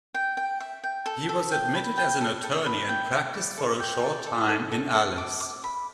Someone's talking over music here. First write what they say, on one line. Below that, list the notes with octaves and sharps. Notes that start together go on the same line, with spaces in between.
He was admitted as an attorney and practiced for a short time in Alice.
G5
G5
E5
G5
A4
A4
G5
B5
G5
A4
A4
B5
G5
A4
D5
A4
G5
D5
A4
A4
A4
A4
D6
D6
B5